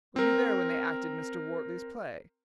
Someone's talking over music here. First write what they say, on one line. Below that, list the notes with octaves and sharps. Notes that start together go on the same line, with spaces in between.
Were you there when they acted Mr. Wortley's play?
C4 A#4